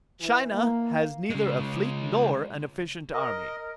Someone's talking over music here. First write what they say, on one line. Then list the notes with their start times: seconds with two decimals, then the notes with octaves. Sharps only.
China has neither a fleet nor an efficient army.
0.19 E3
0.52 A#3
1.30 C#3 G#3
3.13 A#4 D#5